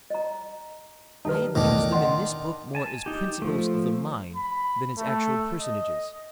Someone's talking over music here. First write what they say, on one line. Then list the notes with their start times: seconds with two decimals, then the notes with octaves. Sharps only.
I have used them in this book more as principles of the mind than as actual personages.
0.10 D#5 A#5
1.25 D#3 G3 D#4 B4 A5
1.55 B1 E2 A2 D#3 D4
1.92 D#5 F#5 C6
2.75 G#5 A5
3.06 D#4 G4
3.42 F3 A3
4.36 B5
4.98 A3
5.59 D#5